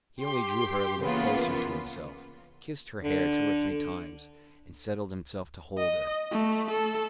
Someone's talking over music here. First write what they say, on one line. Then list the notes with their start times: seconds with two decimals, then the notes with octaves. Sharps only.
He only drew her a little closer to himself, kissed her hair two or three times, and settled himself to hold her.
0.21 G4 C6
1.00 C#3 E3 A#3 B3 F4
3.03 D3
5.78 D#5
6.32 A3
6.71 A4